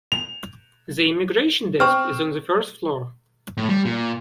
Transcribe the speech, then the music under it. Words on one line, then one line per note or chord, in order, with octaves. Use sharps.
The immigration desk is on the first floor.
F7
C4 C#6 F6
A2
G3
A#2